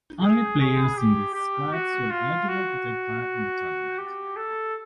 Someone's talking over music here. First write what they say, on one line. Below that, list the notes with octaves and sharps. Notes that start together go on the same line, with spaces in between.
Only players in these squads were eligible to take part in the tournament.
G#4
G#4
G4
G4
F#4
F4
F#4
G4
A4